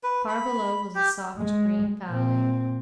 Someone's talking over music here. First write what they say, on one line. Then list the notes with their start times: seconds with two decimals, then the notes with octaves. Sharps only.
Far below was a soft, green valley.
0.03 B4
0.28 B5
0.95 G4
1.38 G#3
2.07 A#2 C4